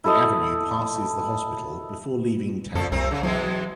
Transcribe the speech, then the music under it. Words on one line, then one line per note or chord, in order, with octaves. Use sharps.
The avenue passes the hospital before leaving town.
E4 A4 D#5
F#2 A#2 F3 A4
C2 C3 C4 A#4
C#3
B2 E3 F#3 G#3